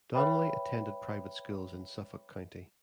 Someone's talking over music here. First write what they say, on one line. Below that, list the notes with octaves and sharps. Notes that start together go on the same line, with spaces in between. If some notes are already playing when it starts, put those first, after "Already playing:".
Donnelly attended private schools in Suffolk County.
B4 C#5 E5 G5 B5